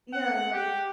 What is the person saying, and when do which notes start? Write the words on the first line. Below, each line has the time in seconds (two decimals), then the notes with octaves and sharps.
Yeah, like
0.13 F#5
0.53 G4